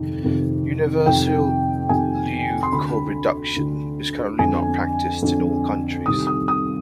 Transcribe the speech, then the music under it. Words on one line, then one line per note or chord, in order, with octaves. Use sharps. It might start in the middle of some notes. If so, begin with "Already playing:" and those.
Universal leukoreduction is currently not practiced in all countries.
Already playing: F2 C3 D#3
F2 C3 D#3
F2 C3 D#3 G5
F2 C3 D#3 G#5
C6
D2 D3 B5
D2 D3
F2 D3 G#5
F2 D3
C2 C3 D#3 D#6
D#6
D#6